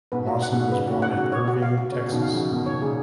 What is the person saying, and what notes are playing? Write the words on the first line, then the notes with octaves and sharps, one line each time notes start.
Wasson was born in Irving, Texas.
G#2 B2 B4
F#4
A#2
F#5
G#2 B2
F#4
A#2 C#3 B4
A#2 C#3 F#4
F#5
F#4
C#5
F#4
F5
F#4
A#2 C#3 C#5
B2 D#3 F#4
F5
C#3 F3
F#4
B2 D#3 D#4
C#5
A#2 C#3 G#4